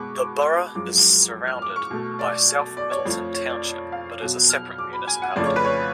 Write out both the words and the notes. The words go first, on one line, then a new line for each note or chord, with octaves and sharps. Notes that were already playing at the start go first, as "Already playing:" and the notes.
The borough is surrounded by South Middleton Township but is a separate municipality.
Already playing: B2 G#3 B3 B5 C#6 D6 F#6
D6
F#2 F3 G#3 D6
F6
D6
C#6
B2 A3
D5
D5
C#5
F2 F3 A3
C#5
D5
F5
B2 F#3 B3
F6
D6
B5
G#5
F#5
F2 C#3 F3 A3 D5
C#5
B4
C#5